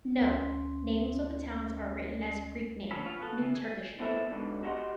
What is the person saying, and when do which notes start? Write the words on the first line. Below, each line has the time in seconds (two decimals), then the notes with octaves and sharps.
Note: Names of the towns are written as Greek name, new Turkish name.
0.21 D2 C#4 C6
2.91 D3 F3 C#4 A4 B5
3.05 B3 F4 C#5
3.21 B3 F#4 A4
3.39 C#3 E3
3.55 G#5
4.00 B3 E4 A4 C5 E5
4.31 G#2 B2 D3
4.63 F#4 G4 D#5 F#5 G5 C6